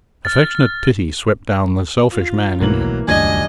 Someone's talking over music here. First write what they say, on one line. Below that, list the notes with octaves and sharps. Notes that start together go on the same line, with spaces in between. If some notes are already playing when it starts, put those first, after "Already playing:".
Affectionate pity swept down the selfish man in him.
F6 A6
F4
B1 B2 E3 F#3 A3 A#3 F#7
D#1 C#2 F#2 A3 D4 D#5 G#5 G#6